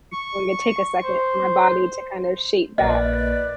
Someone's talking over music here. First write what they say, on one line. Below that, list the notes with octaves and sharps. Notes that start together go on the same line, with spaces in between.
it's going to take a second for my body to kind of shape back.
C#6
C5
A#1 A#3 B4 D5 D#5